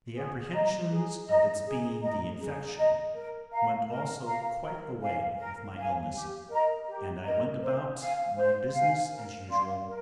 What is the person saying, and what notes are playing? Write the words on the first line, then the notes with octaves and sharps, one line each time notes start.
The apprehensions of its being the infection went also quite away with my illness, and I went about my business as usual.
G#4
D#5 A#5
G#4
D#5 A#5
G#4
D#5 A#5
G#4
D#5 A#5
A#4
F5 A#5
A#4
F5 A#5
A#4
F5 G#5
A#4
F5 G#5
G4
A#4 D#5 A#5
G4
A#4 D#5 A#5
C5
F5 G#5
C5
F5 G#5
A#4
D5 F5 C6
A#4